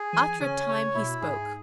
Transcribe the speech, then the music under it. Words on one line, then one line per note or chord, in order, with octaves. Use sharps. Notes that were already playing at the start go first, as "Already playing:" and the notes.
After a time he spoke.
Already playing: G#4
E3 G#5
C#3 C#4
C#3 C#5
B2 E4
G#2 G#4